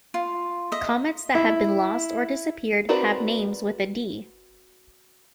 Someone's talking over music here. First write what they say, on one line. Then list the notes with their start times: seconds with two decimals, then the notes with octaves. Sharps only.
Comets that have been lost or disappeared have names with a "D".
0.14 F4
0.72 D#5 E5
1.35 E4
2.89 C4 F#4 A#4 B4 D5